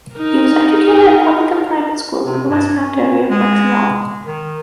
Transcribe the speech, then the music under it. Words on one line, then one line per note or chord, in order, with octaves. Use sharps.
He was educated at public and private schools in the Westmount area of Montreal.
D#4 A#4
C3
G2
C#4
G#3
D#3